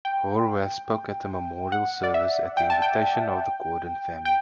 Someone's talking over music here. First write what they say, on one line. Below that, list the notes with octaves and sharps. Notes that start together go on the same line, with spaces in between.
Horwath spoke at the memorial service at the invitation of the Gordon family.
G5
F#5
D5
E5
G5
A5
G5
G5